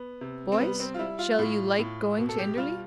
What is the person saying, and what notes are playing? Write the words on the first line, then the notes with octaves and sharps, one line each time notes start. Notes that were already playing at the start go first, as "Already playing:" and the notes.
Boys, shall you like going to Enderley?
Already playing: B3
C3
C4
G3 B3
C4
F4
G3 E4
F4
A2
A2
B2
A4
G4
G3 F4